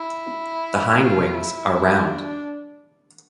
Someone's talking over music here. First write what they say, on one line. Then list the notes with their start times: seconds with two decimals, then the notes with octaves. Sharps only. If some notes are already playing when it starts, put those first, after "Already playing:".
The hindwings are round.
Already playing: E4
0.98 F4
1.33 E4
2.06 D4